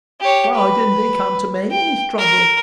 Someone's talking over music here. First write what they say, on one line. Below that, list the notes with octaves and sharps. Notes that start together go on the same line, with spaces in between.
"Why didn't he come to me in his trouble?"
G4 C#5
B4
G5
A#4